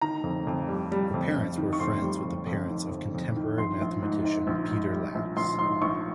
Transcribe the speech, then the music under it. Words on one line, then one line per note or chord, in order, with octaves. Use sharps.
Her parents were friends with the parents of contemporary mathematician Peter Lax.
D#3 A#5
F2
F2
G3
G3
F2
F2
D#3
C#6
F2 C6
G3
F2
F2
D#3
F2
F2
D#3
A#1 C6
A#1
G#2
G#2
A#1
G#2
G3
A#1
A#1 C6
G#2 C6
A#1 C#6